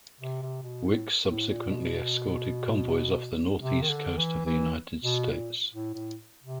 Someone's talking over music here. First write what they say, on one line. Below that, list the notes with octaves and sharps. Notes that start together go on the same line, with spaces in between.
"Wickes" subsequently escorted convoys off the northeast coast of the United States.
C3
C3
B2
A2
A2
A#2
B2
C3
D#3
D3
E3
E3
B2
A#2
A2
A2
C3